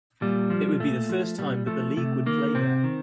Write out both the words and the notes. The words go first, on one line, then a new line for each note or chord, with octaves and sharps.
It would be the first time that the league would play there.
A#2 G3
F3
A#2 A3
F3
A#2 G3
F3 A3
C3 A3
D#3 A#3
C3 C4
D#3